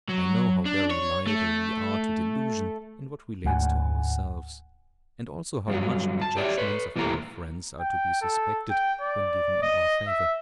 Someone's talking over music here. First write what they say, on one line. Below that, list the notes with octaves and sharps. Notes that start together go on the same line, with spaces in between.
I know how very liable we are to delusion in what relates to ourselves, and also how much the judgments of our friends are to be suspected when given in our favor.
F#3
D4
C#5
A3
D2 G#2 F#5 G#5
G2 F3 F#3
A5
G4 C#5 D5 E5
B4 C#5
B2 E3 A3 A#3 G4 A#5
G5
A4
G5
D5
D#5
E5